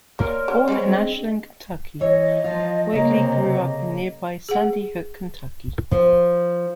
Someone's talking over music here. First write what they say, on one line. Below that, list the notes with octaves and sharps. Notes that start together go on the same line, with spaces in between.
Born in Ashland, Kentucky, Whitley grew up in nearby Sandy Hook, Kentucky.
A#3 A#4 C#5 D5 C6
D3
G3 G#3 C#4 C5 C#5 D#5
C4 D4 G#4 D#5
E3 C#5 D#5
F3 F4
C#3 A#3
C3
G#4 F#5
F3